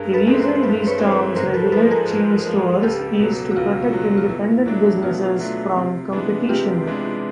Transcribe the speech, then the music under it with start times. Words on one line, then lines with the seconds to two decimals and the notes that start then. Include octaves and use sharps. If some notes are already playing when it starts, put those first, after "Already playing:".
The reason these towns regulate chain stores is to protect independent businesses from competition.
Already playing: G2 G#4 A#4
0.14 A4 B4
0.26 E3 G#3 C4
0.39 A#4 C5
0.55 C5
0.63 G2 A4 B4
0.87 B4 C#5
0.99 E3 G#3 C4
1.07 C5
1.11 B4 C#5
1.36 G#2 A#4 C5
1.54 A4 B4
1.72 F3 G#3 A4 B4
1.91 G#4 A#4
2.10 G#2
2.47 F3 G#3
2.82 C#2 G4 A4
3.19 B2 F#3
3.51 F#4
3.56 C#2 F4
3.92 B2 F#3
4.17 F4
4.29 B2 E4
4.65 F#3 A3 D4
5.03 B2 F4
5.39 F#3 A3 D4
5.76 C3
6.12 E3 G#3 B3 D4
6.49 C3 F4 G4
6.86 E3 G#3 B3 D4